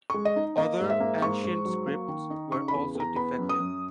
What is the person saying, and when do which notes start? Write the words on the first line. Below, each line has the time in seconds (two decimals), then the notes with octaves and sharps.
Other ancient scripts were also defective.
0.10 G#3 C#6
0.25 D#5
0.36 D#4
0.58 A#3 D#5
0.80 G#2
0.90 E5
1.00 A#3
1.22 G#2 C#6
1.44 G#2
1.65 F#3
1.87 A#3
2.08 D#3
2.30 D#4
2.52 C#3 C#6
2.68 B5
2.74 E2
2.95 E2 A#5
3.16 B3 B5
3.39 F#2
3.49 D#6
3.60 F#2